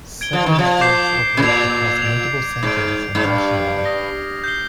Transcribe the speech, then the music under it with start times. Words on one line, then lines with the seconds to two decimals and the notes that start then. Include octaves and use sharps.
Several networks operate across multiple centres or nationwide.
0.21 G#6 D7 G7
0.33 F3
0.46 D#3
0.59 F3
0.81 D6 G6 C7
1.37 C3
1.42 A#2 G#6 C7 F7
2.02 G#6 D7 F7
2.63 G#2 D6 G6 D7
3.15 G#2
3.23 G2 F6 C7 F7
3.84 D#6 A#6 D7 G7
4.44 G6 C7 G7